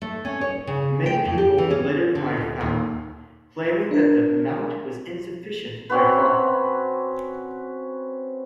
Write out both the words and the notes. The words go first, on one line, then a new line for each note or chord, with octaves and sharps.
Many people would later cry foul, claiming that the amount was insufficient by far.
A3
C#4
C#5
C#3
G5
F2
G4
E3
C#4
D3
D2
D#2
D4 A#4
C4 C#4 F#4 B4